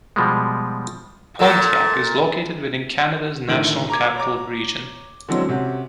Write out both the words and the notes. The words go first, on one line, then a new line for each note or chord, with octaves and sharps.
Pontiac is located within Canada's National Capital Region.
B2 F3 G3 G#3
A#2 A4 A#4
A2 D3 D#3 D7 F#7
A#5 D6 G#6
C#5 A#5 D6
D3 E3 F#3 G#3 C4 C#4
C3 C#4 F#4